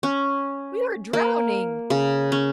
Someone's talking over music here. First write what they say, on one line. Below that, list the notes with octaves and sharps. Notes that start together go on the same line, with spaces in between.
We are drowning!'
C#4
A#3
C#3
C#4